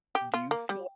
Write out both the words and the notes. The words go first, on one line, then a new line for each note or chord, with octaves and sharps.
do you feel
G4
F4
A#3
G3